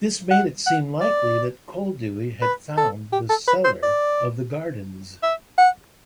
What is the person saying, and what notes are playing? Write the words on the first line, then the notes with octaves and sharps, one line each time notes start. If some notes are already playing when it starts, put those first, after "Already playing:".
This made it seem likely that Koldewey had found the cellar of the gardens.
F#5
F#5
D5
B4
A4
G4
A4
B4
C5
D5
E5
F#5